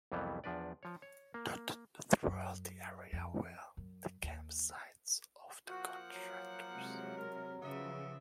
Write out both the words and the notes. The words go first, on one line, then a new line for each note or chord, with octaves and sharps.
Dotted throughout the area were the camp sites of the contractors.
C2 F2 E3 F#3 G3 B3
E2 F3 D4 B4 D5
F3 C#5
C#5
A#3
F#2
F2
F#2
D#2
F3 A#3 F#4 F#5
F#3
C3 G#3
A#4
C#3 F3 B3 E5